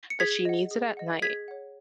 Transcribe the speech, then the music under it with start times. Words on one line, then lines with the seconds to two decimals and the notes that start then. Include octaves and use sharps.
but she needs it at night,
0.10 C#7
0.20 G#4 G#6 B6
0.45 D#5 F#5
0.71 G#4
0.97 D#5 F#5
1.22 G#4 G#6 B6
1.48 C#5 F#5